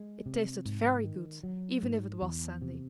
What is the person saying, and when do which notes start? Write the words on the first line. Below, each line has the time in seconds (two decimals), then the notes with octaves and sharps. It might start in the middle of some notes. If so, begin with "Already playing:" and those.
It tasted very good, even if it was sandy.
Already playing: G#3
0.26 C3
0.65 G#2
1.04 D#3
1.43 F#3
1.83 G#2
2.22 E2
2.62 C3